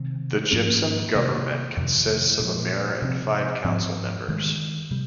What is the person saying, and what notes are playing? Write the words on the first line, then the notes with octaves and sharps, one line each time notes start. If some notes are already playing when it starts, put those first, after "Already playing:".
The Gypsum government consists of a mayor and five council members.
Already playing: C3 D#3 G#3 C4
G#2 F3 A#3 C#4
C3 D#3 A#3
F2 C3 D#3
A#2 F3 G#3
C3 F3 C4
G#2 F3 C4
G2 D#3 G#3
C3 G3